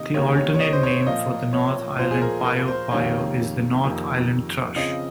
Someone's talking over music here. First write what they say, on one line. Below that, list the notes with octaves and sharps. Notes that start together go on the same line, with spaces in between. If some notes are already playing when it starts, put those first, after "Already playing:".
An alternate name for the North Island piopio is the North Island thrush.
Already playing: C3 D#3 A#3 D#5
C3 D#3 A#3 C#5
C#5
C#5
D#5
C5
C#5
A#2 F3 A#3 D#5
C#5
A#2 F3 A#3 C5
G#4
A#4
A#4
C5
F2 C3 D#3 A#3 C#5
F2 C3 D#3 A#3
C#3 F3 C4 D#5